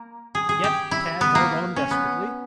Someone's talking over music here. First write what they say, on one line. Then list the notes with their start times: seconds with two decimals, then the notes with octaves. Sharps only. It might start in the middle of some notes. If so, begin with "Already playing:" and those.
Yet Tad held on desperately.
Already playing: A#3
0.35 G#4
0.49 G#4
0.64 G4
0.91 E4
1.21 B3
1.35 A#3
1.76 C#4
1.91 B3